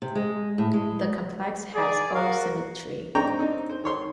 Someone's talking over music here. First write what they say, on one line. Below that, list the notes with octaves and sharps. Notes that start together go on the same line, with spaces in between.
The complex has O symmetry.
C3
G#3
A2
G#3
G#4 D5
F#4 A#4 F5
D4 D#4 C5 G5 A#5 C#6
C4 D4 D#4
C5
D#3 C#5 C6